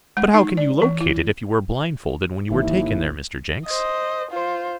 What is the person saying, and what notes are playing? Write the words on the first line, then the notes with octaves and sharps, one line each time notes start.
"But how can you locate it, if you were blindfolded when you were taken there, Mr. Jenks?"
G#3
D#4
D5
E3
E4
G#1 D#2 E3 E4
C5 D#5
F4 C5